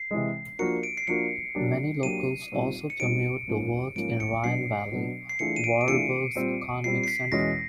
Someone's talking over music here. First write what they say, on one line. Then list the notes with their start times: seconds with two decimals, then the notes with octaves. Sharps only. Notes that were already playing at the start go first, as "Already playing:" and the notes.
Many locals also commute to work in the Rhine Valley, Vorarlberg's economic centre.
Already playing: C7
0.11 C3 E3 G#3
0.59 F3 A#3 D4 F#4 A#4 C#7
0.83 D7
0.97 C7
1.07 F3 A#3 D4 F#4 A#4 C#7
1.55 F#3 A#3 D4 G4
2.03 F#3 A#3 D4 G4 D#7
2.52 A#2 G3 C4 D#4 G4
2.90 C#7
3.00 A#2 G3 C4 D#4 G4 D7
3.48 G#2 F3 A#3 C#4
3.96 G#2 F3 A#3 C#4 D7
4.20 C#7
4.44 B2 F#3 B3 D4 C7
4.92 B2 F#3 B3 D4
5.29 C7
5.39 E3 A3 D4 F4 G#4 C#7
5.56 D#7
5.64 D7
5.81 D7
5.88 E3 A3 D4 F4 G#4 C#7
6.35 A#2 G3 C4
6.84 A#2 G3 C4 C7
7.04 C7
7.08 B6
7.32 E2 B2 G#3 C#4 E4 A#6